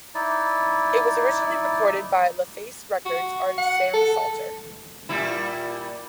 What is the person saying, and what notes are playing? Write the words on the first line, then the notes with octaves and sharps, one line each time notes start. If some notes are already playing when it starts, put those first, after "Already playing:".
It was originally recorded by LaFace Records artist Sam Salter.
D#4 E4 D5
F#4
F#5
A4
A#2 G3 E4